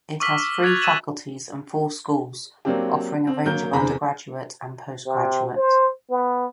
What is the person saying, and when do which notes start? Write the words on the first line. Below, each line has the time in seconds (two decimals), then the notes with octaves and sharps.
It has three faculties and four schools, offering a range of undergraduate and postgraduate.
0.20 C#6 D6 E6 F6 B6 G7
0.63 F#6 G#6 A6 F7
0.82 E6 F#6 A6 D#7 E7 F#7
2.65 F#3 A#3 C4 D4 G4
3.27 C4
3.45 F#3 A#3 A#4 G6 G7
3.73 F#1 E2 C3 G#4 A#5 B5
5.06 C3
5.56 C5
6.10 B3